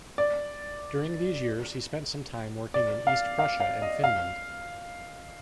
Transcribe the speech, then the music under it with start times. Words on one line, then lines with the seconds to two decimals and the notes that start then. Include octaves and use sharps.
During these years he spent some time working in East Prussia and Finland.
0.18 D5
2.74 D5
3.07 F5
3.39 F5
3.60 F5
3.82 D#5
4.04 F5